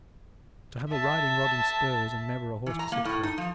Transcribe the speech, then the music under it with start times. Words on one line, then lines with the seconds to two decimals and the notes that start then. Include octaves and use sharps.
To have a riding-rod and spurs, and never a horse to sit upon!
0.88 E5 A5
2.66 E3
2.79 A#5
2.92 A#3
3.05 A2
3.23 D#4
3.38 F3